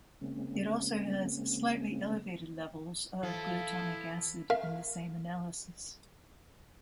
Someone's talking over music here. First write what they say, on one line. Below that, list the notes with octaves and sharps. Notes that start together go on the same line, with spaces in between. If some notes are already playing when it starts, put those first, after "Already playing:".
It also has slightly elevated levels of glutamic acid in the same analysis.
C#3 G#3 A#3 C4 C#4
E3 F3 E4 A4
A#4 E5 F5